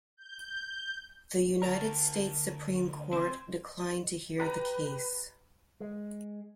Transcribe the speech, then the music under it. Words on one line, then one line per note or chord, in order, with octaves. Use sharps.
The United States Supreme Court declined to hear the case.
G6
D2 A#4 A5 A#5
C4 G#5 C6
G4 B4 A#5
G#3